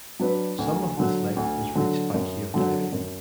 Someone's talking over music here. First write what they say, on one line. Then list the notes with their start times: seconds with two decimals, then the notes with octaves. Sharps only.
Some of this length was reached by cave diving.
0.20 F#3 D4 B4
0.58 D2
0.98 D3 F#3
1.36 D2
1.75 D3 F#3
2.14 F#2
2.54 D3 F#3
2.93 F#2